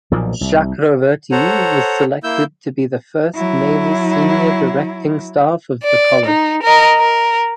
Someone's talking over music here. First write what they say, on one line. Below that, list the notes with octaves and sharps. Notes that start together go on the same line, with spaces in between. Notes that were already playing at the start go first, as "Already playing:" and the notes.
Chakraverti was selected to be the first Naval Senior Directing Staff of the college.
B1 A#2 F3 A#3
C2
A4 C5 C#5 F#5 A#5
A#3 E4 E6 G6
F#3 E4
D5
D#4
A#4 D#5
A#4